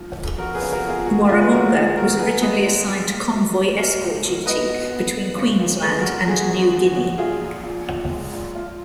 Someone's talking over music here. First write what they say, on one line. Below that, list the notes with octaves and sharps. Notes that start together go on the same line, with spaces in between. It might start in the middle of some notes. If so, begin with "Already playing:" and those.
"Warramunga" was originally assigned to convoy escort duty between Queensland and New Guinea.
Already playing: G#2 F3
F3
F2 F#4 A#4
G#4 B4
C#3
F#4 A#4
F3
F4 G#4
F2 F#4
C#3 F4 G#4
B4
C#3 F#4 A#4
D#2 F4 G#4
B3 F#4 A#4
B3 G#4 B4
G#3 B4 D#5
G#3
G#3
A#3
B2
B2
A#3
C#2
B2
B3 B4 D#5
B3
B3
B3
C#3
C#2
F2 G#4 B4
F#4 A#4
F2
G#3 G#4
F#4
F2 F#4
F2
F#4
F2
A#2 F4 G#4
A#2
A#2
A#2
G#3
A#2
F3 F4